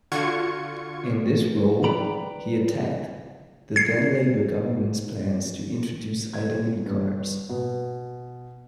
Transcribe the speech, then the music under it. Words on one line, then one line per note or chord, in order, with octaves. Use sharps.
In this role, he attacked the then Labour government's plans to introduce identity cards.
D3 F4 F#4 C#6 G#6 C#7
B4 D5 G5 A#5 B5
G#6 C7
G#6
G2
B2